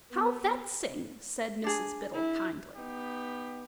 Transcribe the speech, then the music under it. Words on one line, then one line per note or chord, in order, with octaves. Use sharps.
How vexing!' said Mrs Biddle, kindly.
B3
D4 G#4
E4
B3 D#4 G4